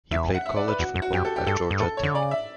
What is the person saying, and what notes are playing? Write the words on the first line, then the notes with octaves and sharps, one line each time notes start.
He played college football at Georgia Tech.
E2 E5
F#5
E5
D5
B4
E2 F#4
F#2
F#4
F#2 G4
A4
G4
G2 A4
G2
A2 A4
C#5
D3
C#3 D5
E5